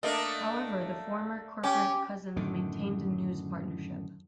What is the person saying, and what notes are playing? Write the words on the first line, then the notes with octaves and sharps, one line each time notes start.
However, the former corporate cousins maintained a news partnership.
A3 A#3 D4 D#5
C#4 G4 G5 D6
F#2 A2 D3 D#3